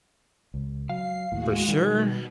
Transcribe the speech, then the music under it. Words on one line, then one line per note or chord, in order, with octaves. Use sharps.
For sure,
C#2
F#3 F5 C7
D#2 A2 G#3 F#4
B2 D#3 G3